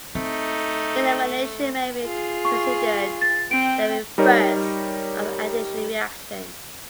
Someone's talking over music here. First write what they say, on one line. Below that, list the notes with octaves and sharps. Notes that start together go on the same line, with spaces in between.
Elimination may be considered the reverse of an addition reaction.
A3 C4 D#4
F4 G#4
C#6
A6
C4 G5 D7
G3 D#4 A#4 C#5